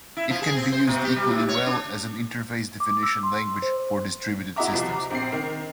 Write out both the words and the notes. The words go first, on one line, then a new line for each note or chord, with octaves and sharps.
It can be used equally well as an interface definition language for distributed systems.
E4
F3
G#4
C4
C5
B2
G4
G3
G#2
C#5
D4
D6
E6
C6
C5
E4 F#4 D#5 E5 A#5 D6
C2 F3
A#5 D6
A#1 C4 C7
D#3